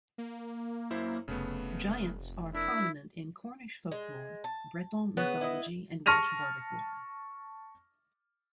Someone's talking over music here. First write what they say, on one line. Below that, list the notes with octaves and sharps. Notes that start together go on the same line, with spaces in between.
Giants are prominent in Cornish folklore, Breton mythology and Welsh Bardic lore.
A#3
F#2 E4 C5
F1 C#3 A3 B3
D4 E4 A#4
G#3
A5
C#3 B3
E4 D#5
A5 C#6 F6 A#6 D#7 F7